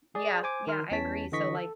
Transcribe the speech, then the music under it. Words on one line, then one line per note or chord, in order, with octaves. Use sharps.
Yeah, yeah, I agree. So, like,
G#4 D5
C5 G#5 D6
D#3 A#4 C6 F6
E2 E3 C#4 C#5 A5 B6
D3 E3 D#5 C#6 B6
A4